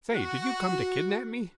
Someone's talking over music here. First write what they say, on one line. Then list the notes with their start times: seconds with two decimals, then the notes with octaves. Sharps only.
"Say, did you come to kidnap me?"
0.12 F#4